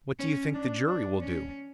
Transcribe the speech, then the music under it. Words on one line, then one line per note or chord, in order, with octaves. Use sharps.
"What do you think the jury will do?"
C#4
D4
D4
C#4